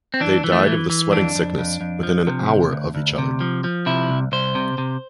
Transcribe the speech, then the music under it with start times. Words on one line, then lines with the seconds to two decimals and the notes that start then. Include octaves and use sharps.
They died of the sweating sickness within an hour of each other.
0.14 C4
0.20 E3 D4
0.44 E3
0.52 A3
0.67 E3
0.90 E3
1.12 F2 D4
1.35 F2
1.58 F2
1.81 F2
2.03 F3
2.27 C3
2.49 D2
2.72 D2
2.95 D2
3.18 C3
3.41 F3
3.64 F3
3.86 C3 E4
4.09 C2
4.32 C2 C5
4.55 C3
4.78 C3